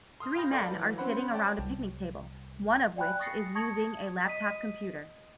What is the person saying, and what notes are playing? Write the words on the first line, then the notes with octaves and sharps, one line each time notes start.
Three men are sitting around a picnic table, one of which is using a laptop computer.
C6 D#6 F6
F5 G5 B5 G6 A#6
A4 A#4 D5 F5 F#5 B5
E3 F#3
C4 C#4 C5 F#5 B5
C#5 D5 G5 A5
C2
D5 F5 G5 G#5 B5 F#6
C#6 D#6 A6 A#6 C7 C#7
A5 C#6 D#6 G#6 A#6 C#7
D#5 D#6 B6 D#7